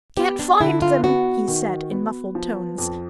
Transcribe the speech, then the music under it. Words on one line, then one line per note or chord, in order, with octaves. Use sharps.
"I can't find them!" he said in muffled tones.
B3 G4
D4
D3 E4
F4
B3 F#4
D#3
B3
F3
F2